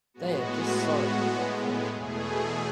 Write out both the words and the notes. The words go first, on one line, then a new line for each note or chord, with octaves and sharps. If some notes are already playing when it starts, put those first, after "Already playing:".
They are just sorry they got caught.
A2 G#3 B3 F#4
E2 B2 A3 G#4